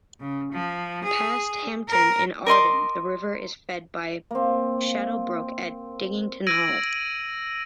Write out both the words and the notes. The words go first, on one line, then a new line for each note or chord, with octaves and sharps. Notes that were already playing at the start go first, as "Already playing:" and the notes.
Past Hampton in Arden the river is fed by "Shadow Brook", at "Diddington Hall".
C#3
F3
G#4
A#4
A#4 D#5 C6 D6
A#3 C4
E6 G#6 A#6 D7 D#7 F#7